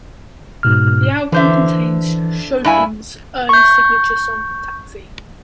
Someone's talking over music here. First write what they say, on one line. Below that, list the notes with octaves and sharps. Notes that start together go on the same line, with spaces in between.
The album contains Chapin's early signature song Taxi.
G#2 B2 F6
D3 E3 C5 E5
G2 E4 G#5
C#6 G6